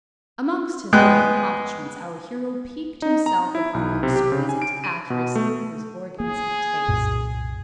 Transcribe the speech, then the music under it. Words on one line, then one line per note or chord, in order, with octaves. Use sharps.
Amongst his other accomplishments our hero piqued himself upon the exquisite accuracy of his organs of taste.
G#3 B3 G5 F#6
D#4
A#5
E4
B1
C3
G4
C#3
G#5
D7
D#7
B2
A3
A#3 G#4
C2 F#2 A#2